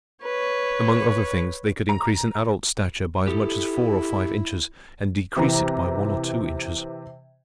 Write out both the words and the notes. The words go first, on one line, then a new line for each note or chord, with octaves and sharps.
Among other things, they could increase an adult's stature by as much as four or five inches and decrease it by one or two inches.
B4 C#5
A#5
E4 G4 A4
C3 E3 A#5